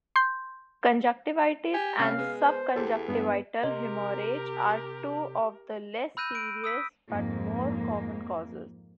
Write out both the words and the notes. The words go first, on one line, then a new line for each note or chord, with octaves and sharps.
Conjunctivitis and subconjunctival hemorrhage are two of the less serious but more common causes.
C6 G6
G4 G#5
C3 G3 C#4 F5
G#3 B3
C5
E2 G4 A4
G2 B3
C3 G4 A#4 D#5
B5 E6 F#6 G6 A#6 D#7
D7
D#6 E6 B6
F2 G#2 A#3